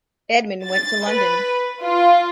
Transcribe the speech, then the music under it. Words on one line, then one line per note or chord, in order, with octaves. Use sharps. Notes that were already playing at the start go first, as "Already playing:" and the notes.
Edmund went to London.
A6
B4
F4